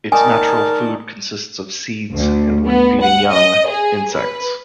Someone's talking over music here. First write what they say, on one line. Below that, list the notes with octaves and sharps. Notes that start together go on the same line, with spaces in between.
Its natural food consists of seeds and when feeding young, insects.
D#3 D#4 A#4 D5 G#5 A5
D2
B3
F#5
D#5
G#4
B4